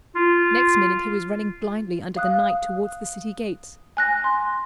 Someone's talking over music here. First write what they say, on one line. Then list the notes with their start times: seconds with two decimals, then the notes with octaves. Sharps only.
Next minute he was running blindly under the night towards the city gates.
0.15 F4
2.16 F5 D#6 F#6
3.97 G#5 F#6 A#6
4.24 C6